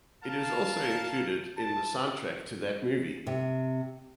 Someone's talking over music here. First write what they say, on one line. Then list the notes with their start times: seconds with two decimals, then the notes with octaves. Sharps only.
It is also included in the soundtrack to that movie.
0.24 A#4 F5 A5
1.58 A5
3.27 C3